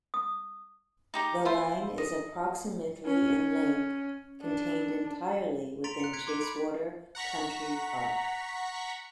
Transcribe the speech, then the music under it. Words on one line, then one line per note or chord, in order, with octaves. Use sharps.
The line is approximately in length, contained entirely within Chasewater Country Park.
D#6
D#4 G4 A#5
E4 F4 C5
D#5
C#4
D4
A#5 C6 A6 B6 D7 F7
F#6 C#7
F#6 G#6 B6 D7
C6 D6 G#6 B6
B5 D7
F#5 A#5 C#6 B6